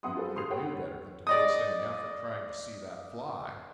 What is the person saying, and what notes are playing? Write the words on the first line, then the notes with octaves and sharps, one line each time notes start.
Peter knew better than to waste any effort trying to see that fly.
F#2 B3 F#5 C6 D#6
F4 F#4 G#4 A4 B4 C5
G4 C6 D#6 C7 F7
G4 A4 B4 C#5 F#5 G5
C#5
D5 D#5 D#6